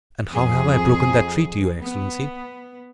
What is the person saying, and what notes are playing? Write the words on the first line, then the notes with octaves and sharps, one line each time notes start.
"And how have I broken that treaty, your excellency?"
F2 G#4
B3